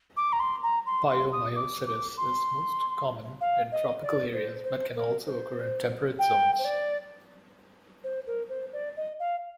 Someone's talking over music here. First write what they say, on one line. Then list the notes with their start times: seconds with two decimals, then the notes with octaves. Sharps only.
Pyomyositis is most common in tropical areas but can also occur in temperate zones.
0.16 D6
0.32 A#5
0.39 C6
0.63 A#5
0.86 C6
1.09 C6
1.32 D#6
1.55 D6
1.86 D6
2.17 C6
3.40 F5
3.71 D#5
4.02 D5
4.33 C5
4.64 C5
4.95 A#4
5.26 C5
6.18 G5
6.58 C5
6.64 D5
8.03 C5
8.26 A#4
8.49 C5
8.72 D5
8.96 D#5
9.19 F5